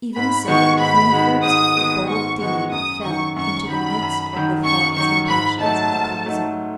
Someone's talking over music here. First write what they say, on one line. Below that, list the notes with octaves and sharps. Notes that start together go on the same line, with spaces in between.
Even so Winfried's bold deed fell into the midst of the thoughts and passions of the council.
G#2 B5
D#3 G#3 B3 F#4 C#6
G#2 B5
D#3 G#3 B3 F#4
G#2 D#6
D#3 G#3 B3 F#4
G#2 C#6
D#3 G#3 B3 F#4 C#6
F#2 D#6
D#3 F#3 C#6
F#2 C#6
D#3 F#3 B5
F#2
D#3 F#3
F#2 C#6
D#3 F#3 C#6
G#2 B5
F#3 A3 D#4 A5
G#2
F#3 A3 D#4